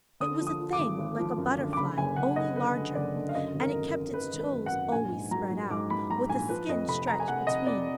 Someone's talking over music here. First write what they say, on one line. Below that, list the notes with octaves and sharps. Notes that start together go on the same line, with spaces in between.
'It was a thing like a butterfly, only larger, and it kept its toes always spread out, with a skin stretched between.'
D3 D#6
F3
D#6
F3
D6
G#1
G#1
F3
F#2
D3
D6
F#1 B5
F#1 G#5
F#1 F#5
F#1 D#5
D3 B4
D3
F#1 D5
D3
F5
F#2 D#5
G#1
A#4
F#2
A#4
F#2
D#3 B4
G#1
B4
F#2
F#5
F#2
A#1 G#5
G#2
F#3 A#5
F#3
G#2 D6
F#3 B5
F#3 A#5
A#1 G#5
F3 B4
F2 D#5
F1 B5
F1 A#5
G#5
F1 F#5
F1 D#5
F2 D5